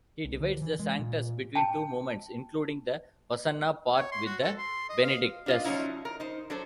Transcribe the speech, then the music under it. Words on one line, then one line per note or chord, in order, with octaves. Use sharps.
He divides the Sanctus between two movements, including the Hosanna part with the Benedictus.
C2
D3
E3
G#3
A#2
G5 A5
C#5
C6
F#4
A4
C6
D#5
F5
D4 F4 D#5
F3 F#3 C4 C#4 D#4 E4
A#4
D#4 C5
F#3 D4 A4 C5